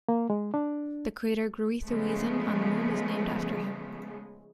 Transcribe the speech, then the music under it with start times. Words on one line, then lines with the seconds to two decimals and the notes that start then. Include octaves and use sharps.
The crater Gruithuisen on the Moon is named after him.
0.09 A#3
0.30 G#3
0.54 D4
1.84 C#3 F3 G#3 A3 B3